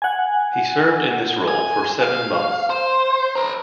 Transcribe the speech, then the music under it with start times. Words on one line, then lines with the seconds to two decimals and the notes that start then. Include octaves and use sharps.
He served in this role for seven months.
0.02 F#5 G#5
1.48 G#5
2.02 F5
2.70 C5
3.35 B4 A#5